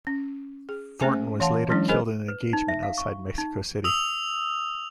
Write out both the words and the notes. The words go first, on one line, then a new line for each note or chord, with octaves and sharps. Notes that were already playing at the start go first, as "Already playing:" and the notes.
Thornton was later killed in an engagement outside Mexico City.
C#4
G#4
A3 C#4 G#4 C5 E5 G#5
E3 C#5 F5 F#5 A5 C6
E3 F#3 G#3 C#4 D4 E4
G#4 A#4 C5 D#5 G#5 B5
B4
D#4
E5
F5
C#6
D#4
D#6 E6 F7